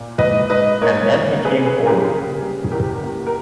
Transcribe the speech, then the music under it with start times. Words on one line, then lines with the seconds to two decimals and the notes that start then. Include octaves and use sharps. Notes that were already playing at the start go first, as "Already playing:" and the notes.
And then he came forward.
Already playing: A#2
0.18 G#2 B4 D#5
0.50 G#2 B4 D#5
0.81 A#3 A#4 C#5
1.14 A#3
1.45 C#4 G#4 B4
1.66 G#4 B4
1.77 C#4
1.87 G4 A#4
2.09 C#3
2.40 G3
2.72 E2 G4 A#4
3.03 A#3
3.27 A#4